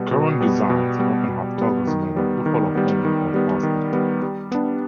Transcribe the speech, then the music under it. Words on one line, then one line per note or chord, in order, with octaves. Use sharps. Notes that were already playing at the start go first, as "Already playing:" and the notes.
Current designs often have toggles made of buffalo horn, or plastic.
Already playing: B2 G3 B3
B2
G3 B3
B2
G3 B3
B2
G3 B3
D#3
G3 B3
D#3
G3 B3
D#3
G3 B3
D#3
G3 B3
G3
B3 D4